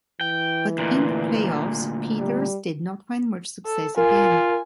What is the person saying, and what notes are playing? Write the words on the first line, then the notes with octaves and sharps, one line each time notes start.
But in the playoffs, Peeters did not find much success again.
E3 G5
D2 A#2
G3
A4
F4 A#4 G#5